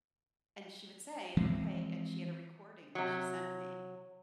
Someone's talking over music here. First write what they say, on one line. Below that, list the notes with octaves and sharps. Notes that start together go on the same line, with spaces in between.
And she would say, "Okay" And she had a recording that she sent me,
E3 F3 G#3 C4
C3 F#3